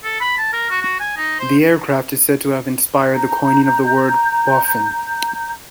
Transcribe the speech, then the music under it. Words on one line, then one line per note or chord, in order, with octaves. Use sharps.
The aircraft is said to have inspired the coining of the word "Boffin".
A4
B5
A5
A#4
F#4
F#4
G#5
D#4
C5
A#5 G6